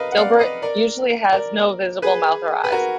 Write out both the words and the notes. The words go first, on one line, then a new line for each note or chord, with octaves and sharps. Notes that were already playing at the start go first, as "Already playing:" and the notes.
Dilbert usually has no visible mouth or eyes.
Already playing: A#4 B4 D#5 F5
F#5
D5 F5
B4 D#5
A#4 D5
A#4 D5
G#4 B4
B4
F#4 A#4